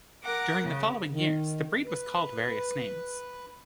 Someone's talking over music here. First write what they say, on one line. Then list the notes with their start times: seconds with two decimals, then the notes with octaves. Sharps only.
During the following years the breed was called various names.
0.22 A#4 F#5 D6
0.63 C#3
1.10 D#3
1.86 B4